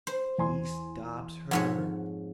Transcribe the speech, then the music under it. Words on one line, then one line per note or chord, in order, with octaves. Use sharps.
He stops her.
C5
E2 G#5 C6
F2 G#2 C#5 F#5